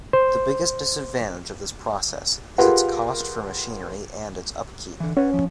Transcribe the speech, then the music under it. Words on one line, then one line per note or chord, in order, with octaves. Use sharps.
The biggest disadvantage of this process is its cost for machinery and its upkeep.
C5
F4 G4 G#4 A#4 B4 F#5
D3 E3
C#4 B4 C#5 F#5
F3